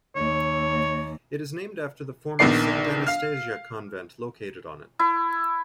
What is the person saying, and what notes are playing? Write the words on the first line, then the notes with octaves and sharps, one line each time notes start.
It is named after the former Saint Anastasia convent located on it.
D#2 C#5
A#1 D#3 B3 D5 C7
F5 F6
E4